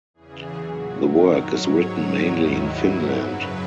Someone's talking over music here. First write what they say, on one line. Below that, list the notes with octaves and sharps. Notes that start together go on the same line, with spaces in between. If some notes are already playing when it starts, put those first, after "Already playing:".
The work is written mainly in Finland.
E2 C#3 E3 G#4
A#2 F#3 F#4
F#2 D#3 F#3 A#4
G#2 F#3 C#5
G#2 D#3 F#3 C#5
D#2 D#3 F#3 E4
G#2 F#3 E4
F#2 C#3 F#3 B4